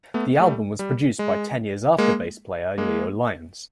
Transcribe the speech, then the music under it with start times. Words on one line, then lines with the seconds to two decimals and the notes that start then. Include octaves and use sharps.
The album was produced by Ten Years After bass player Leo Lyons.
0.14 A3 B3
0.40 G3 A3
0.79 G3
1.19 G#3
1.98 G#3 A#3
2.78 G#3 A#3